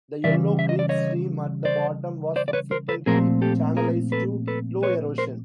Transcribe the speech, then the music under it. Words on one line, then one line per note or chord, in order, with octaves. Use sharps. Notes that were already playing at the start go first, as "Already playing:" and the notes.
The Yellow Creek stream at the bottom was subsequently channelized to slow erosion.
C#3 E3 G3 D5 E5
E5
D#5
D5
C#5 D#5
C5 D5
C5 D5
D5
B4 C#5
A#4 C5
A4 B4
A#2 F3 A3 C4 G#4 A#4
G4 A4
G#4 A#4
A4 B4
A4 B4
B4 C#5
A#4 C5